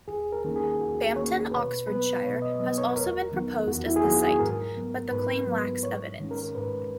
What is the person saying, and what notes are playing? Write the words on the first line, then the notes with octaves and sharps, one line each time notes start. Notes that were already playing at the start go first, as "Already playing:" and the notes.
Bampton, Oxfordshire has also been proposed as the site, but the claim lacks evidence.
D#2 G#4
A#4
D#3 A#3 C#4
G#4
D#2 F#4
D#3 A#3 C#4 C#5
B2 B4
F#3 B3 B4
B2 C#5
D#5
F#3 B3 D#5
C#5
E2 A#4
D#3 F#3 B3
E2 F#4
E4
G#4
D#3 F#3 B3 F#4
G#4
G#2 A#4
F#3 B3
G#2 B4
F#3 B3
G#2 C#5
D#3 G#3 C#4
A#4
G#2 B4